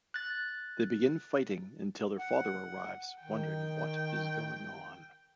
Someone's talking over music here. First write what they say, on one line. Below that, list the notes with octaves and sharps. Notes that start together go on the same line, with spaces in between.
They begin fighting until their father arrives wondering what is going on.
F#6 A6
F#5
D#3 G5